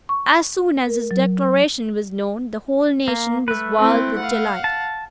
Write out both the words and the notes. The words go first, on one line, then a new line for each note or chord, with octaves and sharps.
As soon as his declaration was known, the whole nation was wild with delight.
C#6
A#4
F#3
A#3
A3 B4
C4 E4
F5 F#5
A5